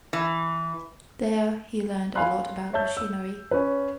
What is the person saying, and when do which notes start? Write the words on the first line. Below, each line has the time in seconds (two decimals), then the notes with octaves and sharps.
There he learned a lot about machinery.
0.13 E3
2.15 F5 G#5 B5 C6 F#6
2.73 C#5 E5 A5 E6 G6
2.97 E6
3.51 C#4 B4